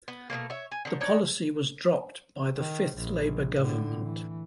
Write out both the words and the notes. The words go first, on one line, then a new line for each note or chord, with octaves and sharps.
The policy was dropped by the Fifth Labour Government.
B3
B2 E3 A3 A#3
C#5 E5
G#5
D3 D#3
D4 D#4 C#5 D5
D#3
A#1
A2 D3
E3